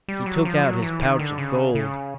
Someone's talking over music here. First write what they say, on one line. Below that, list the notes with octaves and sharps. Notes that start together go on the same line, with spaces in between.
He took out his pouch of gold.
G3
F#3
F3
F#3
E3
D#3
D3
C#3
C#3